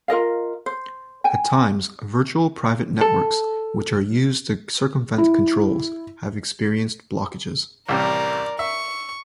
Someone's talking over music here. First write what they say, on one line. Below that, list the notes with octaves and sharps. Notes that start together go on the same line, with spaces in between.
At times, Virtual Private Networks, which are used to circumvent controls, have experienced blockages.
F4 A#4 D#5 F5
C5
G5 G#5
A4
E4
A1 C3 G3 A#4 D5
E5 C#6